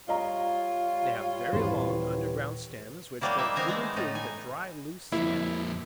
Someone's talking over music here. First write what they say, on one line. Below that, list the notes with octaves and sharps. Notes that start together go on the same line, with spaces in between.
They have very long underground stems, which go through and through the dry, loose sand.
G3 F4 C#5 D#5 F5 A#5
D#1 E3 B4 C5
F#3 G3 A#3 E4
D#4 E4 E5
B3 C4 D#4 G#5 A#5
E3 G#3 A3
A2 D#4
G#5
F2 A#3 E4